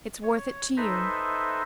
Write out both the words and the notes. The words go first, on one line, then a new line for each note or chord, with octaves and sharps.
It's worth it to you.
C#5
D#4 A4 B4 C5 D#5 E5